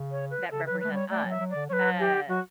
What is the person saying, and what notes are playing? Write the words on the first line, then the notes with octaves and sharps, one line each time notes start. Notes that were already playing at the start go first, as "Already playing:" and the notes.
that represent us. Uh,
Already playing: C#3
C#5
B4
C#3 A4
F#3 B4
A3 B4
G3 C#5
A3 D5
F#3
E5
F#3
D3 D5
F#3 B4 C#5
G4
F#3 F#4